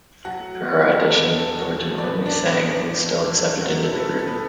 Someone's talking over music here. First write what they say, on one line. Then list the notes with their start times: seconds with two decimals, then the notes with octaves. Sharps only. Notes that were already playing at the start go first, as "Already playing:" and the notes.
For her audition, Thornton only sang and was still accepted into the group.
0.25 F#3 F#4 F#5
0.40 A3
0.55 F#3
0.70 A3
0.84 F#2
0.92 A4
0.99 F#3
1.10 D5
1.14 E2 B3 B4
1.29 D3
1.37 A4
1.45 E1
1.59 E1 F#4
1.74 E1
1.81 A4
1.89 E2
1.98 D5
2.03 A2 B3 B4
2.19 B3
2.26 D4 D5
2.34 B3
2.49 E3 B3 B4
2.63 A1
2.79 E3
2.93 D3
3.08 E2
3.23 D3
3.37 F#3 A4
3.53 F#3
3.60 F#4
3.68 F#3
3.83 B2 A4
3.92 B4
3.97 A3 A4
4.10 B2 B4
4.19 A4
4.27 B2 B3 B4